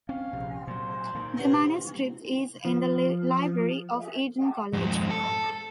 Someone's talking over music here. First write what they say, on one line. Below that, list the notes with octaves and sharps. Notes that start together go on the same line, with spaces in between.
The manuscript is in the library of Eton College.
C4 C#4 F5
A#1 C3
A#2 F#3 C5
A#2 D#3 A#3
C3 B3
F3
F2 G#2
A4